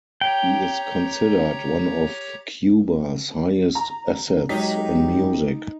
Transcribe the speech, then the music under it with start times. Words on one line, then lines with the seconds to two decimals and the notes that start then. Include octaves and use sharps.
He is considered one of Cuba's highest assets in music.
0.21 G4 C#5 G5 A#5
3.75 A#5
4.49 F#3 G#3 D#4 G4 B6